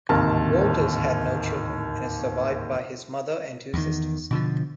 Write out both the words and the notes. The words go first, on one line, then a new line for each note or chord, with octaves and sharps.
Walters had no children, and is survived by his mother and two sisters.
D1 G#1 D#2 C3 A#4 A5
E2 D#3
B2 D3 F3